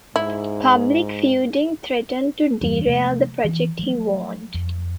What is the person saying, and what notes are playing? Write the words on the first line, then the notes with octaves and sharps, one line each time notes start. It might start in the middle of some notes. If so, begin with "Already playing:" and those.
Public feuding threatened to derail the project, he warned.
G#2 E4
E2 G2 E3 G3
C3 F3 A3 A#3
E3
F3 F#3 A3
F2